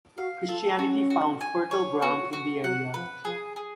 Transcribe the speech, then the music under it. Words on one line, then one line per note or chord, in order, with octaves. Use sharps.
Christianity found fertile ground in the area.
F#4 F5
F4 A4
C#4 F#4
F#4
G#5
C#5
B3 F#4
F#4
F#3 F#5
F3 B4
F3 G#4
G#4